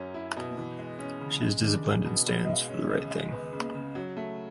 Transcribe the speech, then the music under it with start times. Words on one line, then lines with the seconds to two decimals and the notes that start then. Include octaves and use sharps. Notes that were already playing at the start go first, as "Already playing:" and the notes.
She is disciplined and stands for the right thing.
Already playing: F#2 F#3 C#4
0.14 E4
0.36 B2
0.57 E3
0.79 G#3
0.99 C#4
1.20 C#3
1.42 G#3
1.63 D4
1.83 G#4
2.05 B2
2.26 B2
2.47 G#3
2.69 C#4
2.89 C#2
3.10 G#3
3.32 B3
3.53 C#3
3.74 C#3
3.95 F#3
4.17 A3